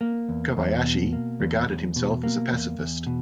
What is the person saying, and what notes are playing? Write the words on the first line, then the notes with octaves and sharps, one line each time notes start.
Kobayashi regarded himself as a pacifist.
A#3
E2
E2
B2
A#3
E2
E2
B2
A#3
E2
E2
B2